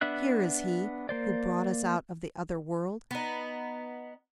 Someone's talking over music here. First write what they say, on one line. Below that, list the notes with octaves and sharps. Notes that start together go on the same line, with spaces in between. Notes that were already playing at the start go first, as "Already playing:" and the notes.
'Here is he who brought us out of the other world.
B3 D4 E5 F#6
A#3 C5 D5
B3 D#4